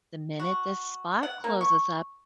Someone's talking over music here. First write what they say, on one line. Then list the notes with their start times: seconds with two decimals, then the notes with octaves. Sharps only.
the minute this spot closes up,
0.39 F#4
1.23 F#5
1.44 A#3
1.61 C#6